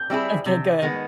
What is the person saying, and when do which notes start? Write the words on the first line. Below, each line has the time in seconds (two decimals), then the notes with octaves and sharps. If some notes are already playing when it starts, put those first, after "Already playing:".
Okay, good.
Already playing: G6
0.10 G3 C4 E4 G#4
0.46 C3
0.82 D#3 G#3 B3